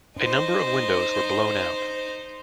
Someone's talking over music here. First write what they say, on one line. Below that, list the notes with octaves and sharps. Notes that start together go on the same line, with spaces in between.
A number of windows were blown out.
D#4 C5